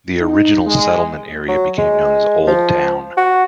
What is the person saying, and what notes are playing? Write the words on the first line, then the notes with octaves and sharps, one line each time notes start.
The original settlement area became known as Old Town.
D#4
G#3
F#3
G#3
F3
F#4